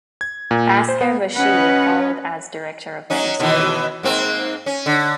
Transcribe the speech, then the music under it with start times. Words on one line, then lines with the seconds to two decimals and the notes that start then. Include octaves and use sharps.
Basker Vashee followed as director of the Institute.
0.21 G#6
0.51 A#2
0.89 C5
1.01 B3
1.38 C#4 F#4 B4 D#5 F#5
3.10 F#3 C#4 D#4
3.40 B2 D#3 E3
4.03 G#2 A#3 C4
4.66 C#4
4.86 D3